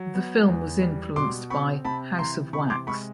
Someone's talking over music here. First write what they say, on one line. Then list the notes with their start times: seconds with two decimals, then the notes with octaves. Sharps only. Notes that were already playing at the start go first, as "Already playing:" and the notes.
The film was influenced by "House of Wax".
Already playing: F#3
0.14 B3
0.48 E2
0.82 G3
1.16 B2 C6 D6
1.50 C4 B5 C#6
1.85 C3 A5 B5
2.19 E3 A#5 C6
2.53 C3 B5 C#6
2.70 C6 D6
2.87 G#3 B5 C#6